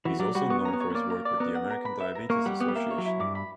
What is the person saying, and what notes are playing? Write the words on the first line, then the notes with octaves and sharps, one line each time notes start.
He is also known for his work with the American Diabetes Association.
E3 F#4
F#3 D5
G3 F#4
B3 C#6
C#4 A#5
B3
C#5
B3
A#3 D5
A#5
D5
B3 A#4
F#5
A#4
B5
E5
A#4
A#3 C#6
G3 F#5
B3 G4
G3
A#3 E5
C#5
F#3
E4
G2 D6
B5